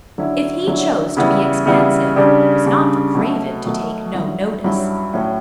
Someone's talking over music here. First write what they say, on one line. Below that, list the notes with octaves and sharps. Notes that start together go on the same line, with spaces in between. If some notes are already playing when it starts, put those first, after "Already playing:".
If he chose to be expansive, it was not for Craven to take no notice.
D3 F#3 C#4 E4
D3 F#3 C#4 E4
C#3 E3 G3 B3 E4
C#3 E3 G3 B3 E4
C#3 G3 D4
C#3 G3 D4
B2 F#3 A3
B2 F#3 A3
G2 F#3 C#4 E4
G2 F#3 C#4 E4
A2 F#3 C#4